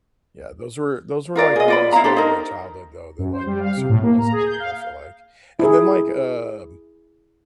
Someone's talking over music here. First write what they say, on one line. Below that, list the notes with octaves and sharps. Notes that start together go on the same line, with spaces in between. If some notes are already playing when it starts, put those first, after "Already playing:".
yeah, those were those were like the ones from my childhood though, that like super resonated, I feel like. And then like um
F4 A#4 D5 F5
G#4 D#5
F4 D5 B5
E4 F4 F5 A#5
D4 G4 A4 C5
D#4 A#4
F#2
C5
G3
F5
C3
A2
A#3
A#5
G#4
G6
F5
E4 G#4